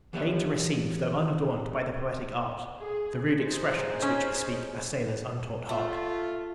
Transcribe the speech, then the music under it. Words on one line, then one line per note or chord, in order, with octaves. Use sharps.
Deign to receive, though unadorn'd By the poetic art, The rude expressions which bespeak A Sailor's untaught heart!
E3 F#3 B3 G4 C#5 E5
G#4
D#4 G#4 C5
C#4
A3 F4